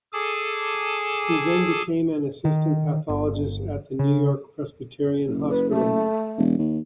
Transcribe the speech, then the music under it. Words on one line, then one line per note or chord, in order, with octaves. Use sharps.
He then became an assistant pathologist at the New York Presbyterian Hospital.
G#4 A4 G#5 A5 D6
D#3
G1
C#3
F#1
B4
A3
E1
D#2